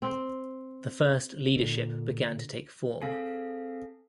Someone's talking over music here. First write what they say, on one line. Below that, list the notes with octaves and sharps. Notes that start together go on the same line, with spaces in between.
The first leadership began to take form.
C4
A#2 D3
C4 G#4 A4 F5